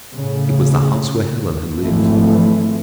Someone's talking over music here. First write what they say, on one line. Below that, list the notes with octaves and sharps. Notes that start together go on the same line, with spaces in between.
It was the house where Helen had lived.
A2 C#3
G#1 E3 F3 A3